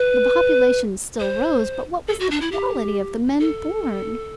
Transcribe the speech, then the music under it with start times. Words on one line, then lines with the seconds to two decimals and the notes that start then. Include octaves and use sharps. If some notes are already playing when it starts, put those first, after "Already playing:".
The population still rose, but what was the quality of the men born?
Already playing: B4
1.20 C5
2.08 A4
2.20 F#4
2.31 D4
2.41 E4
2.52 G4
3.40 A4